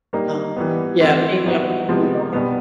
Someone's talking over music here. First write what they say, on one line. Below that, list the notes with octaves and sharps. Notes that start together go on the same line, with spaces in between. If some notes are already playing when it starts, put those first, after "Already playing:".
um, yeah, being able to move on.
G3 A#3 D#4
E3 G3 B3
E3 A3 C4 E4
G3 B3 D#4 F#4
C3 F3 G#3 B3
B2 G3 B3